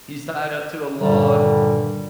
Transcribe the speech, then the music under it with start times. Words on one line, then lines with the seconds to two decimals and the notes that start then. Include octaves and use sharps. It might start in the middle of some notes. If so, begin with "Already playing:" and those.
he's tied up to a log,
0.99 G2 A#2 D3 D#3 G3